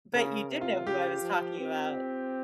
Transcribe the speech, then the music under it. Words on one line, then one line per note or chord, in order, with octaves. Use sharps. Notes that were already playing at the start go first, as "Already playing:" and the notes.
but you did know who I was talking about.
C#3 A#4
C3
F4
C#3 G4
F3
C4